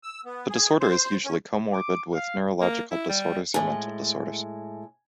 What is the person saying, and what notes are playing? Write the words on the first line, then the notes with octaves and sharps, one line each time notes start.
The disorder is usually comorbid with neurological disorders or mental disorders.
E6
B3
G#4
C5
C#4
D6
F5
A#3
E4
G3
A2 G#3 G#5